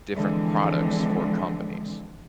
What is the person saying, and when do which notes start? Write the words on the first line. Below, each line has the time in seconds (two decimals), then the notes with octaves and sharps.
different products for companies,
0.16 D3 E3 F3 G#3 C4